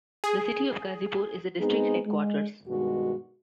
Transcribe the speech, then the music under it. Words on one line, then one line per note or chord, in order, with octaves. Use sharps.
The city of Ghazipur is the district headquarters.
G#4
G#3 B3 C4 D#4 G#4
G#3
G2 B2 D#3 G#3 F#4